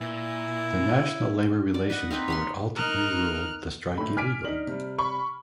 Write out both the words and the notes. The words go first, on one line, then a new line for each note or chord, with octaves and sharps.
The National Labor Relations Board ultimately ruled the strike illegal.
A#2 E4
D5
B4 D#5 F#5
A#3 C4 D#4 B4
C#5 B5 C6
D#4 A#4 F6 F#6
A2 D3 B5
G#5 D6 F6 B6 D7
D4 D#4 F#7
C3 G3
B5 C#6